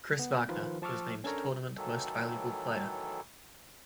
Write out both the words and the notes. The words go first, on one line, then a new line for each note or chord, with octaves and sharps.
Chris Wagner was named Tournament Most Valuable Player.
B3
D#3 F3 F4 A#4 B4
F3 A5 C#6 D6 E6 F6
C#4 D4 A4 A#4 C#5 A#5
A2 D#3 E3 F#3 A4